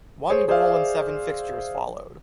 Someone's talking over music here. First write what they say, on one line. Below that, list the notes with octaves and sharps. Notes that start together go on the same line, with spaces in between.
One goal in seven fixtures followed.
G#4 C5 C#5
G#4 C5 D5 E5 F5